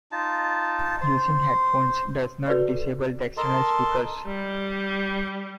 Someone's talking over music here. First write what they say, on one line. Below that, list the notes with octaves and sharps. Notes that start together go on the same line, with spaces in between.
Using headphones does not disable the external speakers.
D#4 F4 A5
C5
F#4 A4 B4 D5
A4 A#4 D#5 A5 C6
G3